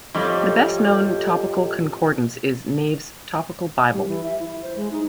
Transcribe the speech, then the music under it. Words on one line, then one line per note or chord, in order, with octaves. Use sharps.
The best-known topical concordance is Nave's Topical Bible.
F2 A2 G3
G3
E3
E5
E4
C5
G#3
D#4